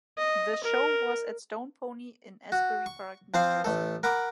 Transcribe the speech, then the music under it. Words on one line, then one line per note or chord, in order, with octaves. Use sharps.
The show was at Stone Pony in Asbury Park, New Jersey.
D#5
A#4
F#4
C#6
F3 C4 F4 C5 F5
A1 A3 A4
A#4 F#5 B5 D6